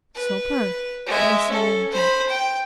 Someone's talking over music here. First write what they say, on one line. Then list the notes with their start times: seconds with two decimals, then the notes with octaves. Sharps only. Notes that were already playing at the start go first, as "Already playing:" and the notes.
"Supper?" said Mr. Linton.
0.15 B4
1.06 G#3 E5
1.49 C#4 A4
1.91 C5 B5
2.29 G5